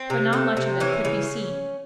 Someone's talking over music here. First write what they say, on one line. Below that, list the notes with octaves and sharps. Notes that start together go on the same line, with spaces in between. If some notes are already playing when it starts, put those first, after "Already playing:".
But not much of it could be seen.
Already playing: C4
C3
A3
C3
E3 C#4
C#3